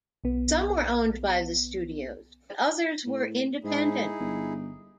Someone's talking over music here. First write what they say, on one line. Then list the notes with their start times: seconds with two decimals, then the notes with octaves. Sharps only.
Some were owned by the studios, but others were independent.
0.24 B1 B3
3.06 A2
3.64 G#2 D#4 E4 G#4
4.19 G1